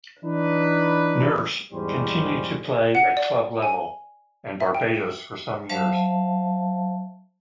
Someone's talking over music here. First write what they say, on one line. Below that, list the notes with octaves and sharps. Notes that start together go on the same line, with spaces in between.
Nurse continued to play at club level and Barbados for some years.
E3 D4 D#4 B4
E2 G#2 G3 C#4 C5
F#5
D5
G#5
E5
G5
F#3 C5 E5 F5 A5